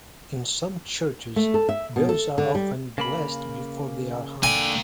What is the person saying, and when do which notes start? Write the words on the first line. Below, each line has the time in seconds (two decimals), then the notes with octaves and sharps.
In some churches, bells are often blessed before they are hung.
1.36 A3
1.54 A4
1.69 E5
1.96 B2
2.09 A4
2.38 D3
2.55 G3
2.98 C#3 A#3 B5
4.43 D3 A#3 G5 G#5